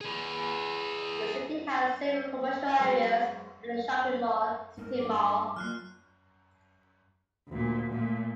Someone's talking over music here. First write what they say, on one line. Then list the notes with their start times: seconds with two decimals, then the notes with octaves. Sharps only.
The city has several commercial areas and a shopping mall, City Mall.
0.01 G#4 B4
2.77 F#3 G#3 B4 C5 F#5
4.78 G#2 A#4
4.99 G2 D6
5.56 F#3 A#3 F4 F6 F#6 C7
7.48 D2 A#2
7.91 A#2 A3